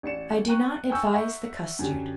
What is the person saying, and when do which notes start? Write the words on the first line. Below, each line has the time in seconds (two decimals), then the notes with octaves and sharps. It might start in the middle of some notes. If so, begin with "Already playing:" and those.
I do not advise the custard.
0.03 A1 D5 C#7 E7
0.48 G5 A#5 C#6 F#6 D#7
0.89 G5 G#5 A#5 C#6 E6 G6
1.13 E5 F#5 A#5 C#6
1.79 F#2 D3 F#3 G4